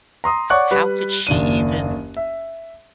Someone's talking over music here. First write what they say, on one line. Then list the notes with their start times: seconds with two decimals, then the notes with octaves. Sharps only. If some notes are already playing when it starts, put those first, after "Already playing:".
"How could she even
0.24 A#5 C6 D#6
0.50 C#5 D5 F#5 C#6 D6 F#6
0.71 G3 B4
1.27 F#1 D#2 D4 D#7
2.17 E5